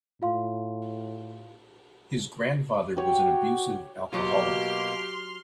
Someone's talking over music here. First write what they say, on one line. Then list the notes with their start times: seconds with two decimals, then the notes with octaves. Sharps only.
His grandfather was an abusive alcoholic.
0.22 A2 F4 F5 C6
2.97 F#4 G4 C#5
4.13 B2 F#3 A#3 F4 G4 C6 F6